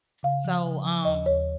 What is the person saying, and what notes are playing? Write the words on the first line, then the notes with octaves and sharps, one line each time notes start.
so, um,
C#3 F5
F3
C#3
F3
D#2 D#5
D#2 C#5